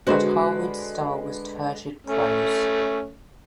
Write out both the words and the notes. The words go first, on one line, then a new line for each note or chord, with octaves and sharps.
But Harwood's style was turgid prose.
D3 G#3 F#4 B4 C5
A3 C#4